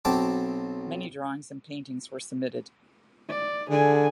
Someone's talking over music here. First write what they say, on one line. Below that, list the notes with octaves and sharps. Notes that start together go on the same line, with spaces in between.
Many drawings and paintings were submitted.
B1 F#3 C4 G5 A5 D6
D5
D3 G#4 G#5